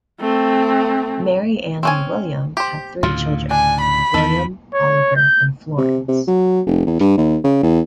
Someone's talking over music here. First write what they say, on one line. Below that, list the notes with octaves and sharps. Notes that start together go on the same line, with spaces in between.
Mary Anne and William had three children: William, Oliver and Florence.
A3 C4
C4 C#4 G#5
G4 C5
D2 A2 C#3 F4
D4 G#5
B5
E2 D#3 A4
C#5
G6
C3
C3
F#3
F1
E2
G2
D#2
C#3
E2